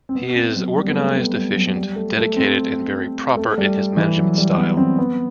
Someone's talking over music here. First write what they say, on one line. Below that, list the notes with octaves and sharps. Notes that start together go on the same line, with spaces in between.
He is organized, efficient, dedicated, and very proper in his management style.
C4
B3
C4
F#3
G3
B3
A3
B3
G3
F#3
G3
A3
A3
C4
A3
G3
E3
F#3
G3
B3
C4
B3